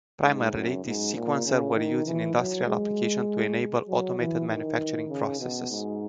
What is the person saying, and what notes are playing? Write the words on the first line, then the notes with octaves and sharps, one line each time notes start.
Primarily, these sequencers were used in industrial applications to enable automated manufacturing processes.
G#2
F#2
G#2
A#2
C#3
D#3
E3
F#3
G#3
F#3
E3
D#3
C#3
B2
G#2